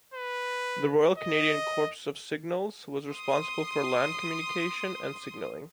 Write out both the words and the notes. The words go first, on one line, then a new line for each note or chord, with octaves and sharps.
The Royal Canadian Corps of Signals was responsible for land communication and signalling.
B4
D#5
C6 D#6